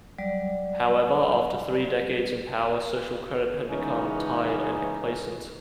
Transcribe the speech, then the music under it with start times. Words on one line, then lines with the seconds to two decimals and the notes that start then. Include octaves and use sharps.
However, after three decades in power, Social Credit had become tired and complacent.
0.18 F#3 G3 D5
3.70 C#3 E3 G#3 B3 C#4 D#4